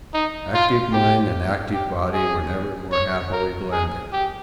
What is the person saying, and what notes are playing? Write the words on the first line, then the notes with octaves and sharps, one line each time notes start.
Active mind and active body were never more happily blended.
D#4
F4
G4
G4
G#4
C#5
A#4
G#4
G4